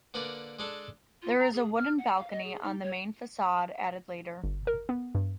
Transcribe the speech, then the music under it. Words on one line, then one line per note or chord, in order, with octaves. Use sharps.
There is a wooden balcony on the main facade, added later.
D3 A#3 A#4 B4 D5
G#3 D4 A4
F4
A#5
G#4
F6
F#5
F5
D#5
G#4
D#4
C#5
G1
A#4
B3
G2